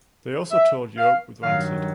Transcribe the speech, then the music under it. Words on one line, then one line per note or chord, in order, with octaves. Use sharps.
They also toured Europe with Rancid.
E5
F5
G2 D#3 F#3 F5